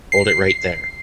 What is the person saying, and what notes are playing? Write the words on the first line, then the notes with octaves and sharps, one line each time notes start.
Hold it right there!
C7